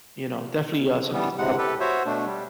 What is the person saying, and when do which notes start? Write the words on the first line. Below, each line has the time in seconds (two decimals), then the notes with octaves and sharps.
you know, definitely uh something to celebrate.
1.13 E3 G3 B3
1.38 D2 A2 C3 G#3 F#5
1.58 G4 A4 B4
1.80 F#4 C5 C#5 E5
2.06 B2 A3 D4
2.26 G3